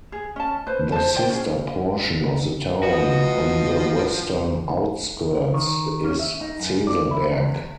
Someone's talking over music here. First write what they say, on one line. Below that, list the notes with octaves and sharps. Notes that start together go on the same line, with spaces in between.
The sister portion of the town on the western outskirts is Zeselberg.
G#4
C#4 A5
B4 C5
C5 A5
C5 D5 G5
C#4 G#4
F3 F#4 B4 D#5
D#3
C#4
E5
D#4
F#2
D5
E4
E2